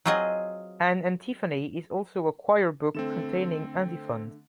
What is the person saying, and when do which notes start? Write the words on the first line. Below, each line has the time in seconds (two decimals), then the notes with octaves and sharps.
An antiphony is also a choir-book containing antiphons.
0.06 F#3 C4 F4 G#4 D#5
2.95 D3 A3 C4 A4 E7